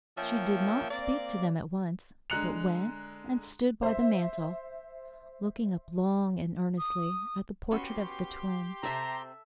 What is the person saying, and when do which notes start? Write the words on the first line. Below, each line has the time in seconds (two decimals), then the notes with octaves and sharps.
She did not speak to them at once, but went and stood by the mantel, looking up long and earnestly at the portrait of the twins.
0.18 F3 A#3 C#4 E5 G5
0.91 A#3 C4 D5
2.30 D3 G#3 A#5 F#6 C#7 F7
3.83 C5 E5
6.78 D#6
7.71 B3 C#4 F#4 G4 C6
8.83 C3 C4 A4 E5 A#5